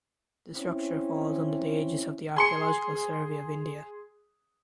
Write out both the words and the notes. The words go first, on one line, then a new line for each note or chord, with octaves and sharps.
The structure falls under the aegis of the Archaeological Survey of India.
C4 C#4 E4
G#4 C6 C#7